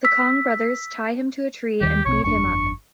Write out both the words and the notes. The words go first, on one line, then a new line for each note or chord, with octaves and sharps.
The Kong brothers tie him to a tree and beat him up.
E6 B6
D#2 D#3 G3 G4
A#1 B2 C4 C#5
G1 F2 D4 C#6